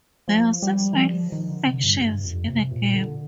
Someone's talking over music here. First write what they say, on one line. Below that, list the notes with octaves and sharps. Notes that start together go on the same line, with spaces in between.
There are six main factions in the game.
F3
G3
D#3
F3
D#3
D3
C3
G2
G2
F2
C3
A#2
D3